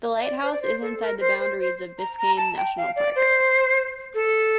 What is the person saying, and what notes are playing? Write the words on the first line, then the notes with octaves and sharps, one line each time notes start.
The lighthouse is inside the boundaries of Biscayne National Park.
E5
D5
C5
D5
C5
A4
A#4
C5
C5
C5
A#5
A#5
A5
G5
F5
D5
C5
A4